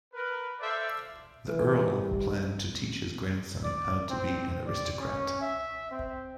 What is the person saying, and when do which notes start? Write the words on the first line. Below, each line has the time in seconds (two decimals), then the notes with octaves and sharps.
The Earl planned to teach his grandson how to be an aristocrat.
0.14 A#4 B4
0.60 A4 C5 D5 E5 F5
1.47 E3
1.91 G3
3.64 D5
4.10 C4
4.67 D5
5.01 C#4
5.41 E5
5.92 C4